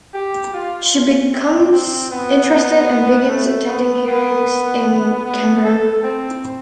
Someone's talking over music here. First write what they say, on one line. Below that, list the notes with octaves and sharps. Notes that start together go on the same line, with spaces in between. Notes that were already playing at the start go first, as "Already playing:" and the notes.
She becomes interested and begins attending hearings in Canberra.
G4
F4
C4
C4
B3
A3
B3
B3
B3
A4
C4